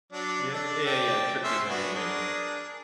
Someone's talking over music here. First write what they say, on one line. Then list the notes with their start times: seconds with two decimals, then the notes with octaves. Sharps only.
Yeah, yeah, yeah, yeah, a trip down memory lane.
0.12 F#3 D4 D5
0.52 D4 A4 D5
0.86 D5 G5 A5
1.44 C#4 E5 C6
1.69 B3 D4 F#4
1.95 D4 G#4 A#4